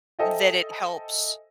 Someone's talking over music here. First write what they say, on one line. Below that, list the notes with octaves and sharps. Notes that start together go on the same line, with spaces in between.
that it helps
A4 C5 D#5 E5 G5 G#5